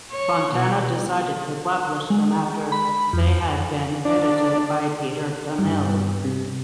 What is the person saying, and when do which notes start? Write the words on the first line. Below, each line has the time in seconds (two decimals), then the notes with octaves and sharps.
Fontana decided to publish them after they had been edited by Peter Donnelly.
0.11 C#5
0.53 B2
2.10 G#3
2.72 B5
3.13 F2
4.05 D4
5.59 G2
6.25 C3